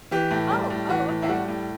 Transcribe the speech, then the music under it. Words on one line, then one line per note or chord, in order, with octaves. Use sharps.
Oh! Oh, okay.
E3 G4
A2
G3
A2
E3 F#4
A2
E4
G3 F#4
A2